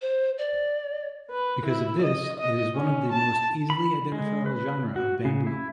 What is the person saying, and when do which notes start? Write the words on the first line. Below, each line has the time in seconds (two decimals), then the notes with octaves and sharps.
Because of this it is one of the most easily identifiable genera of bamboo.
0.01 C5
0.38 D5
1.31 B4
1.66 E4
2.02 D#5
2.40 D#5
2.75 C#4
3.13 A5
3.70 B5
4.12 G#3
4.46 B4
4.96 F#4
5.25 C#3
5.47 E4